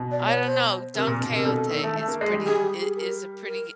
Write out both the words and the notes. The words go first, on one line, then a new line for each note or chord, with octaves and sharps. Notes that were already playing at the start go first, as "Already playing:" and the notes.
I don't know. Don Quixote is pretty it is a pretty g
Already playing: B2
D5
C#5
C5
C3 A#4
A#2
B2
C3 A#4
B2 A4
D#3
A3
A3
A#3
G#3
G3
G3 G#4
G4
G#4
A#4
A#4